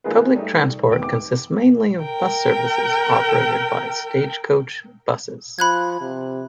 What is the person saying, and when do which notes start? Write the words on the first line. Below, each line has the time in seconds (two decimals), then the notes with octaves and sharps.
Public transport consists mainly of bus services operated by Stagecoach Buses.
0.04 D#3 G#3 A#3 F4 G#4 B4
0.35 G3 A3 D#4
0.88 F1 D#3 B3 G4 D7
1.02 G5 D6
2.04 A#4 G5
5.59 F3 B5 F#6 G#6
6.01 C3